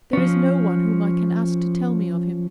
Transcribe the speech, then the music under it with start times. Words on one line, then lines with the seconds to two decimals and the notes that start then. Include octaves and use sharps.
There is no one whom I can ask to tell me of him.
0.13 F3 C#4